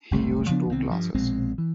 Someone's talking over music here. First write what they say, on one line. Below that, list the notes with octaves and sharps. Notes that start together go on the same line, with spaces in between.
He used two classes.
F#1 C2 A2 A3
C#3 F3 B3 D4
C2 D#3 B3 C4
G2 F3
A#1 B2 G#3 C4
E3